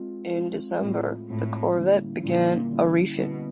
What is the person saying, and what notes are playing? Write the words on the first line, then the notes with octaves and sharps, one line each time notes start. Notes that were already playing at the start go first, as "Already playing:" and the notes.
In December, the corvette began a refit.
Already playing: G#3 C4 F4
G#3 C4 F4
A2 G#3 C4 F4
A2 G#3 C4 F4
D3 G3 A#3 C#4 E4
A#2 D3 G3 A#3 C#4 E4
D3 G3 A#3 C#4 E4
B2 D3 G3 A#3 C#4 E4